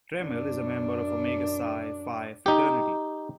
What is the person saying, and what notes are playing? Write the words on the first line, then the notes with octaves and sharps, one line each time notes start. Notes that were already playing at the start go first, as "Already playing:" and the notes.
Trammell is a member of Omega Psi Phi fraternity.
F#2 D4
D#4 G4